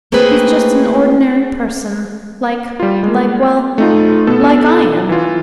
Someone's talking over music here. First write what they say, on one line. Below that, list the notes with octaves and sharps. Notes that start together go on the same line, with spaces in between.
He's just an ordinary person--like--like--well, like I am.
A3 A#3 C4 E4 G#4 B4
G3 F4
G#3 A#3
A3 D#4 F4
B2 B3 A4
E3 F4